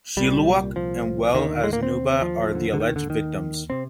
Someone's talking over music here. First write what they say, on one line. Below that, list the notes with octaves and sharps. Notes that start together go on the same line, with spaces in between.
Shilluk and well as Nuba are the alleged victims.
C2 A#2 G3
F3
D#2 D3 D#3
G#3
A#3
C4
F3
D#2 D3
D3
D#3
D3
D#3
C3 C4